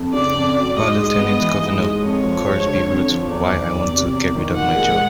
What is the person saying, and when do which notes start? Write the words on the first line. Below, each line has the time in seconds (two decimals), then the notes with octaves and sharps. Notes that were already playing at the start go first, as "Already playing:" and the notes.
While Lieutenant Governor, Crosby wrote Why I Want to Get Rid of My Job.
Already playing: F2
0.13 C#3 D5
0.35 F2
0.56 F#3
0.76 G#2 D#5
0.98 G#3
1.19 B3
1.40 E3
1.61 G#2
1.82 G#3
2.03 F2 C#5
2.24 F3
2.45 G#3
2.66 D3
2.86 F2
3.08 F3
3.29 E2 D5
3.51 D#3
3.71 E2
3.93 C3
4.14 E2
4.35 D#3
4.55 A#2 F#5
4.76 G#3